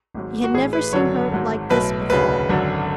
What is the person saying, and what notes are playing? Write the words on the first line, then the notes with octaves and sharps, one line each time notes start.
He had never seen her like this before.
G#1 G#2 F#3
F#4
A1 A2 E3 G#4
B4
G#1 F#2 D3 F#3 C#5
G#1 G#2 F#3
B1 A2 F#3 B4
E1 D2 C#3 F#3 B4
G#1 F#2 D3 F#3